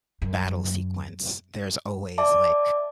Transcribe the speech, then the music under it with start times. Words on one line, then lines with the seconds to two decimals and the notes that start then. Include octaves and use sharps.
battle sequence, there's always, like,
0.22 F#2
2.18 D5 E5 A5 D6